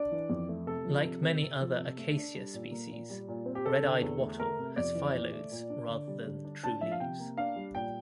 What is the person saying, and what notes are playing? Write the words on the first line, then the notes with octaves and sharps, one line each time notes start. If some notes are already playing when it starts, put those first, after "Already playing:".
Like many other "Acacia" species, red-eyed wattle has phyllodes rather than true leaves.
Already playing: D4 D5
E3
F2
A3
C3 A4
F3
C3
C4
C3
F3
C3
A3
D4
G3
A#2
A#3
A#2
G3
A#2
C4
G4
C4 A4
D3
E2
A3
A3 A#4
C3
F2 D5
E3
A#2
A3
A#2
D4
D3
G3
D3
D4
D4 A5
F3 E5
F5
C3 G5
A#3
D4 F5
G3
A#2 G5